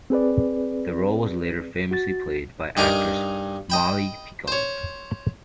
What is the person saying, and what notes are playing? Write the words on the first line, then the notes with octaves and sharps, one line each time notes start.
The role was later famously played by actress Molly Picon.
C4 G#4 B4 D5
F#4 A6
G2 D#4 G#4 A#4 D6
D#5 G5 B5
C5 C#5